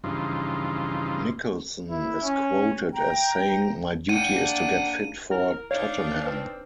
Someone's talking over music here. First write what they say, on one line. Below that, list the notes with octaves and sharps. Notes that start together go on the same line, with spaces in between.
Nicholson is quoted as saying My duty is to get fit for Tottenham.
G2 C#3 E3 F3 D#4 F4
E4
C#4
G5 A#5
A#3 D4 F#5 G5 D#7
E4 A#4
D4 D#4 C#5 D5 F5
C4 B4